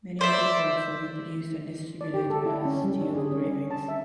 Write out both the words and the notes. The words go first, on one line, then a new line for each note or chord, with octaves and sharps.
Many of his works were reproduced and distributed as steel engravings.
C5 D5 E5
D5
G4
A4
E4
C#4
G3
D4
G#4
C#4
D4
A5
E5